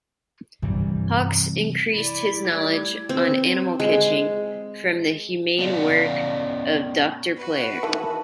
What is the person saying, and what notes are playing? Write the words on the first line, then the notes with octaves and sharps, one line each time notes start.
Hawks increased his knowledge on animal catching from the humane work of Dr.Player.
G2 C3 E3 G3
E4 D5 B5
G3 A3 G4 D5 G#6
C4
G#3
B3 C#4 D5 F5 F#5
F#4 B4
D#3 E3 A5